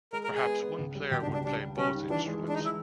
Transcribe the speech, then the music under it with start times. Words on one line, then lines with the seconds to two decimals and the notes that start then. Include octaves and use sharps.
Perhaps one player would play both instruments.
0.13 G#3 A#4
0.24 A#4
0.29 G#3
0.35 G#4
0.46 B3
0.62 B3
0.78 C#2
0.95 G3
1.11 B2 G4
1.22 D4
1.27 C#2
1.34 D4
1.44 G3 D4
1.61 G3
1.77 G3 C#4
1.94 D#3
2.10 E3 D4
2.27 G#3
2.43 E3
2.49 D4
2.54 D#4
2.60 E3
2.65 E4